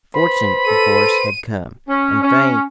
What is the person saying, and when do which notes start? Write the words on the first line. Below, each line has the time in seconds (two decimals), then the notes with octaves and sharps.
Fortune, of course, had come, and fame.
0.14 B4 C5 B5
0.66 A4 D#7
1.89 C#4
2.22 C#4